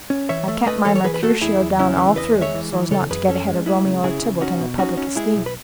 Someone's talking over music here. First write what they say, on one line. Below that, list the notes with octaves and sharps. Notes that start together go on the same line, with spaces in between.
I kept my Mercutio down all through, so's not to get ahead of Romeo or Tybalt in the public esteem.
C#4
E3 C#5 E5
A3
A3 B4 D#5
E3 A4 C#5
C#5
E3 G#4 B4
B4
A3 F#4 A4
E2 E4 G#4
E2
C#3 C#4 E4
E3
E2 B4 D#5
G#3
C#5 E5
E3
E3
C#3 A4 C#5
F#2 G#4 B4
C#4 A4 C#5
G#3
G#3 E4 G#4
C#3
C#3 E4 G#4
C#3
C#4 D#4 F#4
B2
C#4 D#4 F#4
C#4
G#3 E4 G#4
B1
B4